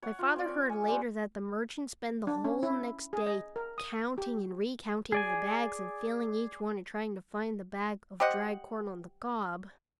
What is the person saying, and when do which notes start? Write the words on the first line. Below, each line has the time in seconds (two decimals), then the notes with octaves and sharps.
My father heard later that the merchant spent the whole next day counting and recounting the bags and feeling each one trying to find the bag of dried corn on the cob.
0.02 C#5 F#5
0.19 F4
0.36 C4 D5
0.48 C#5
0.69 G#5
0.88 G3 C4 F#5
2.27 D4
2.44 C#4
2.63 E4
3.13 G#4
3.26 D#5
3.56 A#4
3.78 D#6
4.18 G4
5.12 G#4 D5 G#5
8.20 G4 C5 D#5 F#5